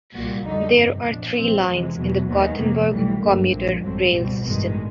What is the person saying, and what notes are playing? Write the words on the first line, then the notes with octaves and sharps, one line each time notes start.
There are three lines in the Gothenburg commuter rail system.
C2 A#2 G3 F#4
F2 D3 G3 D#4
G1 F2 C3
A#1 A#2 F3 D4
B1 A#2 F3 C4
F2 C3 E3 G#3
E2 B2 F#3
D#2 D#3 G#3 B3
F2 C3 D#3 A#3
B1 A2 E3 G3 A3
G1 G2 D3 F#3 A3 A#3
A#1 A#2 F3 G#3 C4
A1 G2 D3 F#3 C4
C#2 B2 G3
A1 G2 D#3 G#3